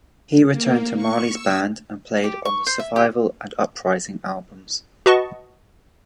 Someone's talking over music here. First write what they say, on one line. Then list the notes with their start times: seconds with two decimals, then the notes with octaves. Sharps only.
He returned to Marley's band and played on the "Survival" and "Uprising" albums.
0.51 A#3
0.95 C#6
1.30 E6
2.24 G4
2.45 C#6
2.67 C5
2.80 E5
2.96 G4
5.06 F#4 B4 D#5 A5 C#6